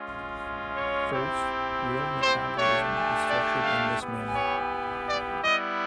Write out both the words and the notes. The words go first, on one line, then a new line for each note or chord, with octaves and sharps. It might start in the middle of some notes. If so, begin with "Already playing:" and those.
First, real metabolism is structured in this manner.
Already playing: G#3 C#4 F4
C#5
C4 E4 G4
C5
A3 D4 G4 C#5
D5
F5
B3 E4 G4
C#5
D5
G3 B3 E4 D#5